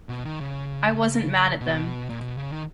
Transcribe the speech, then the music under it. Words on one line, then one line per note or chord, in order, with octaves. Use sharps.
I wasn't mad at them.
B2
D#3
C#3
B2
A#2
B2
C#3
D#3